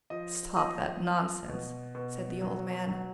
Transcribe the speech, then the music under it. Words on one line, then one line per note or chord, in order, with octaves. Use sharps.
'Stop that nonsense!' said the old man.
F3 D#5
F3 D#5
F3
B2
B2
F#3
F#3